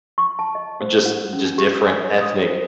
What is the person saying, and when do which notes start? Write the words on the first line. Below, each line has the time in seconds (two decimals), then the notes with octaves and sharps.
just just different ethnic
0.18 C#6
0.39 A5
0.55 D#5
0.81 C5
1.05 F#5
1.33 C#4
1.45 D4
1.58 G4
1.86 G#5
2.04 C#5
2.21 D#6
2.42 C5